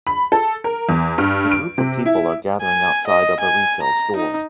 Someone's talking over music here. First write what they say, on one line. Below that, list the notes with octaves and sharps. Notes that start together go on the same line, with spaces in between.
A group of people are gathering outside of a retail store.
B5
A4
A#4
E2
G2
D7
C3
E4
G#5
D#5
G#5
A#5
D#4